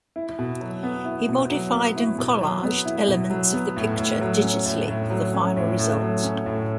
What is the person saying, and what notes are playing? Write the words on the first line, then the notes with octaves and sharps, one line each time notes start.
He modified and collaged elements of the picture digitally for the final result.
E4
B2
F#3
B3
E4
B2
F#3
B3
E4
B2
F#3
B3
E4
B2
F#3
B3
A2
A2
F#3
C#4
A2
A2
F#3
C#4
A2
A2
F#3
C#4
A2